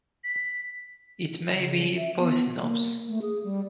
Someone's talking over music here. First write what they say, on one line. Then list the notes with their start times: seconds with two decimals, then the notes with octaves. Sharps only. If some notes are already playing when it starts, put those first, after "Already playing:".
It may be poisonous.
0.24 B6
1.53 C#3
1.97 E5
2.18 B3
2.60 A#3
3.09 A3
3.22 G#4
3.44 G3